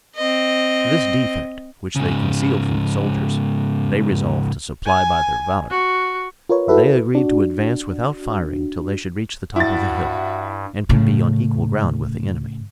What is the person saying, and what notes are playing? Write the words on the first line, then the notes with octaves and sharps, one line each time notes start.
This defect, which they concealed from the soldiers, they resolved to supply by their valor. They agreed to advance without firing till they should reach the top of the hill, and could be on equal ground with the enemy.
C4 D#5
G#2 C#3
G#5
F#4
F4 A#4 B4 C#5
E4 F#4 A4 B4 E5
D4 F#4
G2 E4 F#4 A6
A2 C#3